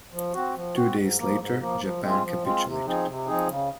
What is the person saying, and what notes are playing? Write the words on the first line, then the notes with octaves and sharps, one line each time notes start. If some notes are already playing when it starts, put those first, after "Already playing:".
Two days later, Japan capitulated.
F3
C4 F#4
F3
C4 F#4
G#2
F3 A#3
G#2
F3 A#3
F3
G#3 C4 F4
F3
G#3 C4 F4
C3
F3 C4 D#4 G#4
C3
F3 C4 D#4 G#4
C#3